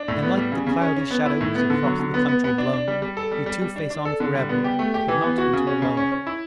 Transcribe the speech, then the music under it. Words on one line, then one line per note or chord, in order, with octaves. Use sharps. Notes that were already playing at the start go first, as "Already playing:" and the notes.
And like the cloudy shadows Across the country blown We two face on for ever, But not we two alone.
Already playing: D4
A2
B3
G3
C#3
C#3
C#4
C#4
B3
E4
A2
B3
D3
F#3
D3
B3
B3
B3
D4
D4
G3
G3
A4
G3
G3
G3
D4
D4
A4
D3
G3
B3
G4
A3
G4
E3
B3
F#4
C#3
C#4
C#3
C#4
C#4
E4